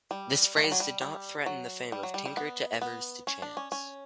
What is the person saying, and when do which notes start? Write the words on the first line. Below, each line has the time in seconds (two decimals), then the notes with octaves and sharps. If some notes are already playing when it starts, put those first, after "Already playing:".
This phrase did not threaten the fame of "Tinker to Evers to Chance".
0.11 G3
0.56 A3
0.64 G3
0.72 F#3
0.80 G3
1.01 G3
1.46 F#3
1.92 G3
2.03 F#3
2.14 G3
2.26 G3
2.37 B3
2.81 B3
3.27 C#4
3.42 D4
3.57 C#4
3.72 C#4